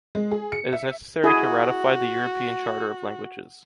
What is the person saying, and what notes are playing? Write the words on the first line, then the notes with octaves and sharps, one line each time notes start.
It is necessary to ratify the European Charter of languages.
G#3
G#4
C#7
E5
E4 F#4 G#4